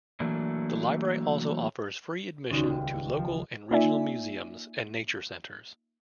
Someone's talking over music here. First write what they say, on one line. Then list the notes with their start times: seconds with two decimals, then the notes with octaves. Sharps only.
The library also offers free admission to local and regional museums and nature centers.
0.20 E3 F#3 A3 A#3 D4
2.50 D#1 C#2 C#3 C#4 D#4 F#4
2.70 G5
3.18 F3
3.71 A#3 D#4 F4 D5 E5 G#5